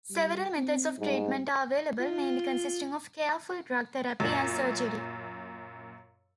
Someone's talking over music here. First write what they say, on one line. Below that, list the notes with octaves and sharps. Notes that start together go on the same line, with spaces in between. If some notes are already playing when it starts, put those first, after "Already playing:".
Several methods of treatment are available, mainly consisting of careful drug therapy and surgery.
G3
C4
G#2 G3
F4
F#2 A#2